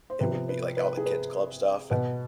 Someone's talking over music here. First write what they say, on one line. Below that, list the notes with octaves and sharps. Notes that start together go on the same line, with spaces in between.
it would be, like, all the kids club stuff and,
C5
C3 F3 B4
B4
B4
G#4
B4
B2 B4